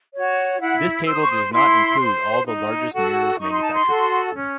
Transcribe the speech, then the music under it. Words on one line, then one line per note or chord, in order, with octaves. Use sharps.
This table does not include all the largest mirrors manufactured.
F#4 C#5
E4 F#5
C5 E6
D#6
C#6
D#6
E4 C6
C5
D#4
F#4 A4
D#4 C#6
C6
A5
C6
F#4 A4
C#4